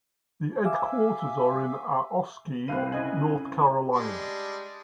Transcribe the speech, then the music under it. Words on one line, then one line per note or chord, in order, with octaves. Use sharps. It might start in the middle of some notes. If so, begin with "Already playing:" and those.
The headquarters are in Ahoskie, North Carolina.
E5 F5 G#5 D6 E6
C2 C4 B4 F5 D#7
C#3 E4 D#5 G#5 F#7
G3 G#3 D4